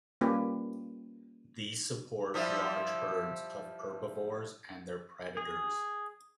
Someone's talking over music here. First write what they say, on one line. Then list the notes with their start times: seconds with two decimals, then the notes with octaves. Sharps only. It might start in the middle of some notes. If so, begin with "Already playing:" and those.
These support large herds of herbivores and their predators.
0.21 G3 A#3 C#4 F4 G4 B4
2.34 F3 G3 E4
5.37 G#4